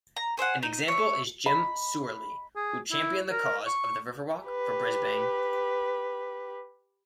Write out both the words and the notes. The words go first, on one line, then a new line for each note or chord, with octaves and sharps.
An example is Jim Soorley who championed the cause of the Riverwalk for Brisbane.
A#5
G#4 C5 E5 F#5
D#4
C#5 E5
B5
G#4
E4
A#4
C#6
G4 B4